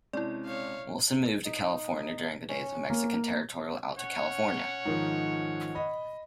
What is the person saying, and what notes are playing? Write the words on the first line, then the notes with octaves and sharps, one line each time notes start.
Wilson moved to California during the days of Mexican territorial Alta California.
C3 G#3 C#4 E4 D5
C#5 F5
D#4
C#4
A#3
C#4 C#5 F#5
G#2 D#3 F3
D#5 B5